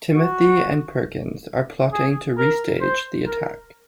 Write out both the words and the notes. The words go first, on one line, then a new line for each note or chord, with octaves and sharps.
Timothy and Perkins are plotting to restage the attack.
F#4
G#4
A#4
C5
A#4